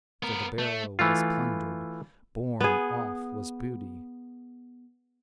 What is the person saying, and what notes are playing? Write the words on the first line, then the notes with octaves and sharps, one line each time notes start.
So the barrow was plundered, borne off was booty.
B3 A#4
A3
E3 A3 F4
B3 G#4